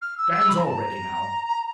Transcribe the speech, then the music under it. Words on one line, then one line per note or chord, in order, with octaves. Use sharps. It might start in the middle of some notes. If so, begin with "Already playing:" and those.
Dan's already now.
F6
E6
E6
B5
A#5
A5
A#5